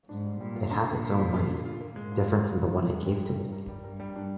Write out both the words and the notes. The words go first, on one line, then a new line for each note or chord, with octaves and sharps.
It has its own life - different from the one I gave to it.
G#2 D4
G3
A#2 G3
F4
D3
F4
F4
F3
F4
D3
F4
A#3
G#2 G#3
A#2
G#3
A#2
G2 G#3
G4
G#3
G4
G3
A#4
A#4
G3
G2 A#4
G3
D4